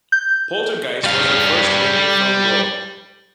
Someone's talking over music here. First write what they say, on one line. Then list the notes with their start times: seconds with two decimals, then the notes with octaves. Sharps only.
"Poltergeist" was her first major film role.
0.12 G6
1.04 G3 F5